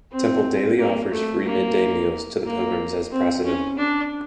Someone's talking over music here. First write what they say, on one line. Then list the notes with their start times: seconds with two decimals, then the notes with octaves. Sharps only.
Temple daily offers free mid day meals to the pilgrims as a prasadam.
0.12 C4
0.78 A#3
1.11 A3
1.45 A#3
2.44 A#3
3.11 C4
3.44 C#4
3.78 D4